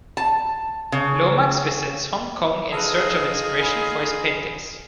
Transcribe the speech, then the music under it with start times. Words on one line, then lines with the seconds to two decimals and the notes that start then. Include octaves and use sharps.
Lomax visits Hong Kong in search of inspiration for his paintings.
0.17 A5
0.92 C#3
2.73 D#4 F4 G#4 A4 B4
3.60 G#5 B5